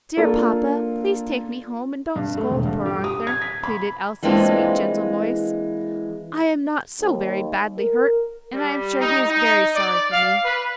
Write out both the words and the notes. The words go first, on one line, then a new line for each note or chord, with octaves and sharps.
"Dear papa, please take me home, and don't scold poor Arthur," pleaded Elsie's sweet, gentle voice; "I am not so very badly hurt, and I am sure he is very sorry for me."
A#3 D4 F4 A4
G2
A3
E1
G2
G4
D#6
G#6
B6
B5
E3 G#3 A#3 C4 D4 F4
D#2
A#4
G3
D#4
D#4
D5
F5
B4